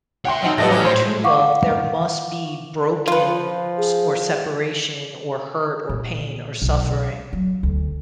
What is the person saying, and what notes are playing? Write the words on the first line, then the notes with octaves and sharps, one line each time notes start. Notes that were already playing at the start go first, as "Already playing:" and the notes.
in order to love, there must be broken s or separation or hurt or pain or suffering.
C#5 E5 F#5 G5 C6
B2 C4 D#4
A2 F3 A3 A4 B4 D#5 A#6
F#3 C#4 G4
C5
F5 F#5 C#6 D6
F3 F4 B4
G#4
A#2
B1
F#3
D2